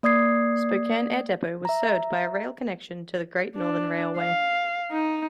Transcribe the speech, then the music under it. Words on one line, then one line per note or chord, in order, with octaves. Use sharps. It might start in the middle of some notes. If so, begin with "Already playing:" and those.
Spokane Air Depot was served by a rail connection to the Great Northern Railway.
A#3 D5 D#6 G#6 C7
E5 A#5
D4
F5
D#4